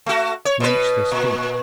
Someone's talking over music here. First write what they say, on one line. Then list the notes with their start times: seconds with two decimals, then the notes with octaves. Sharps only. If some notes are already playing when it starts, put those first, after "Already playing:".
Whence this heat?
0.06 A3 F#4
0.45 C#5
0.60 B2 B4
1.12 A#2